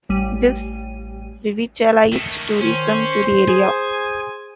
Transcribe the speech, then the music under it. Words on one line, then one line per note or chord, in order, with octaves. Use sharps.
This revitalized tourism to the area.
A1 G3 D#7
D#3 A3
D#3 C#4 C5
G#4 G#5